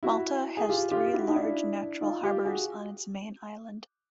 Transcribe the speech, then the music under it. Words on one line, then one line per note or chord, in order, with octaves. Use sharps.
Malta has three large natural harbours on its main island.
E4 F#4
G#4
F4 G4
F4 G4
G4
E4 F#4
D#4
D4 E4
D#4 F4
F4 G4
F#4 G#4